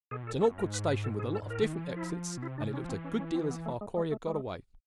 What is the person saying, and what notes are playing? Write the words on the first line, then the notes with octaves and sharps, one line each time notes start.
It is an awkward station with a lot of different exits, and it looked a good deal as if our quarry had got away.
B2 G#4
A#2 A4
F2
A4
F#2
G#2 A#4
B4
B4
A4
G#4
A4
G#2
A2 A#4
D#3
E3
F3
E4
B2
C3 E4
C#3 D4
C3 C#4
F3
E3 C4
C#4
C#4
C4
B3
A3
G#3
G#3
A3
G#3